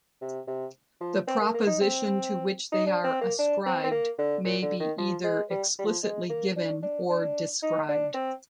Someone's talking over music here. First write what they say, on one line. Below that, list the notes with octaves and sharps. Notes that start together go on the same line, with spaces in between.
The proposition to which they are ascribed may be either explicitly given or described.
C3
C3
F3
C4
A#3
A#3
D#4
C4
D#4
D4
C4
A#3
D4
C4
C4
A#3
D3
A#2
D3
D#3
F3
G#3
G3
G3
F3
G#3
A#3
D4
D4
D4
D#4
D4
C4